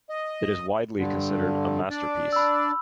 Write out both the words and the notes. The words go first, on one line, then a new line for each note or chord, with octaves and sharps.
It is widely considered a masterpiece.
D#5
G2 D3
D4 D5
B5 E6